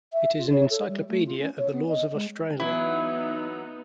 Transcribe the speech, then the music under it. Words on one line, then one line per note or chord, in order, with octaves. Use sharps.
It is an encyclopaedia of the laws of Australia.
E5
F4
C#5
A4
G3
A3
F4
C#4
C#5
B3
D#5
G#3
E3 F#3 B3 D#4 E4